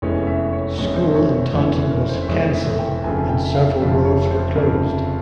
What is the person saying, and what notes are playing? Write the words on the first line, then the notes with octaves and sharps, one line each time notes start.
School in Taunton was cancelled, and several roads were closed.
F1 E2 E3 G#3 C#4 C#5
E5
C#5
F1 E2 E3 G#3 C#4 C#5
C5
C#5
C#5
C#5
F1 E2 E3 G#3 C#4 E5
E5
A#4
C5
E5
F1 E2 E3 G#3 C#4 C#5
E5
G5
F1 F2 C#3 G#5
G5
E5
F5
F1 F2 C#3 E5
C#5
C5
F1 F2 C#3 A#4